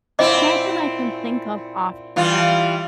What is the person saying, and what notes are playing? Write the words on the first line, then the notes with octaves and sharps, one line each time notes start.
Not that I can think of offhand,
A#2 C4 E4 D#5 D6
E3 G3 F4